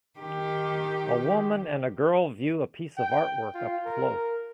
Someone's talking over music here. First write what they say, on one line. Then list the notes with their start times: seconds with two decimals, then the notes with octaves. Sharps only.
A woman and a girl view a piece of artwork up close.
0.19 D#3 G4
2.97 G5
3.54 F4
3.85 A#4